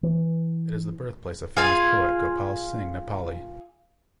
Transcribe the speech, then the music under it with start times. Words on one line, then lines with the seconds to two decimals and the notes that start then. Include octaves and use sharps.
It is the birthplace of famous poet Gopal Singh Nepali.
0.03 E3
1.57 F4 G#4 F5 G#5